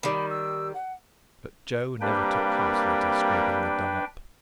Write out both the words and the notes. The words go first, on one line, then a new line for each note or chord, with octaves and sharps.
But Joe never took heartily to scraping the dung up.
D#3 G3 B5
E6
F#5
C3 G3 A#3 D4 B4 G5